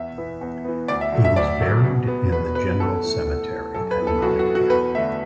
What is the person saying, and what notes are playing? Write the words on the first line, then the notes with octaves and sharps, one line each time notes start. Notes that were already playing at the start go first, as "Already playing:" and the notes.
He was buried in the general cemetery at Nottingham.
Already playing: E2 E5
E3 B3
E2
E3 B3
D2 D5
E5
D3 F#3 A3
E5
D2 D5
D3 F#3 A3
B2
B3
B2 B4
B3 B4
E2 A4
E3 A3
E2
E3 A3
F#2 A4
B4
E3 B3
A4
F#2 F#4
F#4
E3 B3
F#4
E2 B4
D3 A3 E5